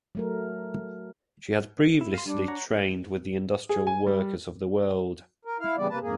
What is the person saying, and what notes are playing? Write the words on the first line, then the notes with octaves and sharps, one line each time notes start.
She had previously trained with the Industrial Workers of the World.
F#3 A3 A#4
E4
F5 C6
G3 D4
C#5 F#5 A#5
G#4
G#5
G3
A#4
E4 F5
C#3 E3 G3 B3 D5
C3 A#3 B4 A5
F2 G#2 A#3 G#4